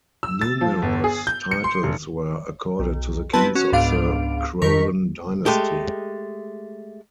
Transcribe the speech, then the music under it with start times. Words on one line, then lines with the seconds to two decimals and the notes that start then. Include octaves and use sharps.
Numerous titles were accorded to the kings of the Crovan dynasty.
0.23 E6
0.41 A6
0.61 F3
0.82 G1
1.04 G#4
1.27 G6
1.51 C#7
1.64 C6
1.83 F1
2.79 B1
3.33 B3 C4 E4 B4 A5
3.55 C#4 F#4
3.72 C#2 G#2 B3 D4 F5 D7
4.62 F2 D#3 A#4 C#6 B6
5.46 G#3 A3 G4